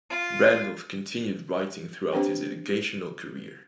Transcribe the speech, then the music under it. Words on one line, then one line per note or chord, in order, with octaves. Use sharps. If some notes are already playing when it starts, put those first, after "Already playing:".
Randolph continued writing throughout his educational career.
F4
B3 C4 D4 G4 B4 C5